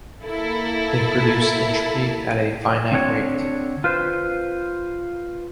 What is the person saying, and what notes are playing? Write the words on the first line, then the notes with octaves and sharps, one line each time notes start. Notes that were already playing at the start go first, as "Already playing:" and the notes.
They produce entropy at a finite rate.
A#3 E4 A4
D3 C4 D4 C#5
F4 B4 C5